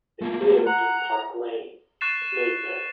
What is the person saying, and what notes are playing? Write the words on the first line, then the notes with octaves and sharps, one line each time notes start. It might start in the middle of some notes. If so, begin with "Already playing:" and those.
They lived in Park Lane, Mayfair.
A3 A#3
F#5 A#5
C#6 F#6 A6 C7 E7